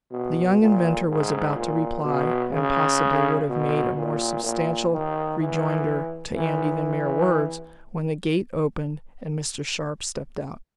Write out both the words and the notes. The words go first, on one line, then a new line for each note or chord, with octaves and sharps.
The young inventor was about to reply, and, possibly would have made a more substantial rejoinder to Andy than mere words, when the gate opened, and Mr. Sharp stepped out.
B2
A#2
G#2
A#2
B2
C#3
B2
A#2
A#2
D#3
E3
E3